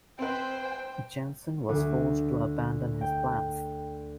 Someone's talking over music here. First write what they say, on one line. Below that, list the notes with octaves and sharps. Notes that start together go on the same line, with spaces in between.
Jensen was forced to abandon his plans.
C4 B4 C5 G5
D2
G5